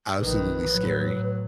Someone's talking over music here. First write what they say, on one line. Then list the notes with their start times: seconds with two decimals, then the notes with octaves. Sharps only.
absolutely scary.
0.20 A#1 D#3 B4
0.68 A2 F#3